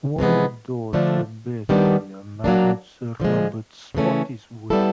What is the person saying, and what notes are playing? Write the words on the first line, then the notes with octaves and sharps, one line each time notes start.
One daughter Bethia married Sir Robert Spottiswoode.
C3 E3 G#3 B3
D3 F3 A3 D4
D#3 G3 B3 D4 G4
F#3 A#3 D4
D3 F3 G#3
C#3 E3 A3 C#4
G3 B3 E4 A4